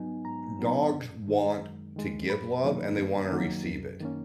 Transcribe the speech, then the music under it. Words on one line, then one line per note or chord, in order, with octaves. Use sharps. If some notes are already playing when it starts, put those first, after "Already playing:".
dogs want to give love, and they wanna receive it
Already playing: G#2 F#3 B3 D#4 G#5
G#2 A#5
F#3 B3 D#4
F#2
D#3 G#3
F#2
D#3 G#3
F#2 B5
D#3 F#3 A#3
F#2
D#3 F#3 A#3
F#2
D#3 A#3 C#4